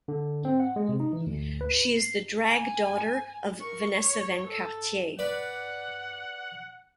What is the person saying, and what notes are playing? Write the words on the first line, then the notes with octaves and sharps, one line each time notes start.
She is the drag daughter of Vanessa Van Cartier.
D3
C4
F#5
G#3
C3
D#4
E3
D2
B4
C7
G#5
A#4 C#6
C#5
A4
B4 D5 F#5